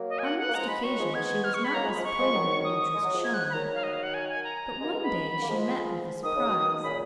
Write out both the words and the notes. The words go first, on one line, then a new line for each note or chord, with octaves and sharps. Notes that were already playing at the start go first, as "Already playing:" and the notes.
On most occasions she was not disappointed in the interest shown; but one day she met with a surprise.
Already playing: F#3 A#3
D#5
G#5
F#5
F#5
A#3
F3 G#3 A#5
B5
D#3 F#3 C#6
F3 G#3
G#3 B3 G#6
F6
C#6
B5
F#3 A#3 A#5
F3 G#3
B5
F3 G#3
C#6
F3 G#3
D#3 F#3
D#6
G#3
F#3
F3 G#3
G#6
F#6
G#6
B5
D#3 F#3 A#5
F5
D#5
F5
F#5
G#5
G#5
A#5
G#3
F#3 A#3
G#3 B3
G#3 B3 B5
A#3
F3 G#3
D#3 D#6
C#3
B2 D#3
A#2 C#3 B5